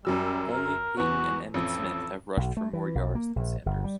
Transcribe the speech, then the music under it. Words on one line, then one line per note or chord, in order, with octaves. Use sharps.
Only Payton and Emmitt Smith have rushed for more yards than Sanders.
F#2 F#3 G3 E6
A#4
E2 B3 F#4
A1 F2 A4
B1
A3
E3
B1
A#3
A#1
G1
G3